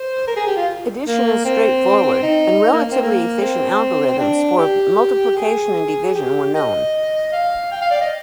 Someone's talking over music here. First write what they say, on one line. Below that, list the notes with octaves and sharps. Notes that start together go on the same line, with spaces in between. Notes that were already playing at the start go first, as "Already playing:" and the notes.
Addition is straightforward, and relatively efficient algorithms for multiplication and division were known.
Already playing: C5
A#4
G#4
G4
F4
A#3
C4
D#4
D#4
A#3
C4
A#3
C4
D4
G4
G#4
G4
D#5
F5
G5
F5
D5
D#5